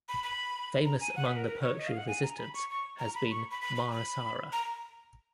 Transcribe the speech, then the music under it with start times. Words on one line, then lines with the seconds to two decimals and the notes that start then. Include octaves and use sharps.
Famous among the 'poetry of resistance' has been "Mahasara".
0.09 B5
0.23 B5
0.85 A#5
1.01 G#5
1.16 F#5
1.26 B4
1.36 A#4
1.47 A#4
1.56 B4
1.61 C#5
1.77 D#5
1.87 F5
1.97 F#5
2.07 G#5
2.23 A#5
2.38 B5
2.54 C#6
2.70 C#6
2.99 A#5
3.15 B5
3.31 C#6
3.51 B5
3.61 B5
3.76 B5
3.92 B5
4.53 A#5